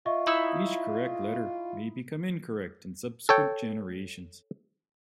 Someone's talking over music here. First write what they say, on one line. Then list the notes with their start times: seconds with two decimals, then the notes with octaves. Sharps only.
Each correct letter may become incorrect in subsequent generations.
0.06 F4 D#5 E5 C#6
0.27 D#4 E4 E6
3.29 A4 C#5 G5